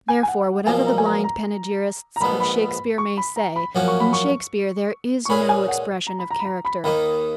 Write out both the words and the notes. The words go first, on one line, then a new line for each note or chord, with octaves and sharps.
Therefore, whatever the blind panegyrists of Shakespeare may say, in Shakespeare there is no expression of character.
G#5
G#5
F#5
B1 A#2 F3 A#3 G#5
A#5
G#5
A#5
A#5
A#5
A#1 G#2 F3 B3 B5
B5
C#6
B5
A#5
B5
F#2 F3 A#3 C#4 F#4
C#6
B5
C#6
C#6
A#2 G#3 C#4 G#4 B4 B5
G#5
F#5
A#5
B5
A#5
B5
A#5
B5
D#2 D#3 A#3 D#4 B5